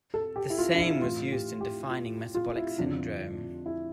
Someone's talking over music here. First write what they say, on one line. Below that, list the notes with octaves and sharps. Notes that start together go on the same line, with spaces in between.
The same was used in defining metabolic syndrome.
A4
G4
E4
F4
D4
E4
A2 E3 F4
G4
G4
F4
F4
E4
F2 D3 F3 D4
E4